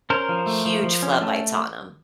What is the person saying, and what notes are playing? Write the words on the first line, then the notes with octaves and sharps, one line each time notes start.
huge floodlights on 'em.
C#4 A#4 C5
F3
A3
F3
F3
C#4
A3